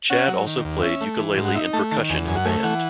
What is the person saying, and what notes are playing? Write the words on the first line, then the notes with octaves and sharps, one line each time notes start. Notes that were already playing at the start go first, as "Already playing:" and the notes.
Chad also played ukulele and percussion in the band.
C#4 F#5
F#3
D#3
D#2
C#4 E5
A3
E3
G#2
F#5
D#4 E5
A3 A5
D#3 A5
E2 G#5
F#2 G#5
F#5
A3 G#5
E3 F#5